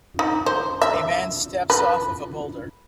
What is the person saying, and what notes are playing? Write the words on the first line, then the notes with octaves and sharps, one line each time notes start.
A man steps off of a boulder.
D#4
C5
E5
B4